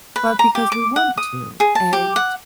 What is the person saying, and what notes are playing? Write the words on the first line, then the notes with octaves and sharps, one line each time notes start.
but because we want to, and
B4
A#5
G4
D6
F#5
D#6
G#4
A5
G4
F#5